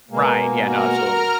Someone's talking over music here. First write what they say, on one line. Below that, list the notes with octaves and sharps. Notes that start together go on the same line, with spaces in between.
Right, yeah, no, absolutely.
B2 G#3 A#3
F#4 A#4 A#5 F6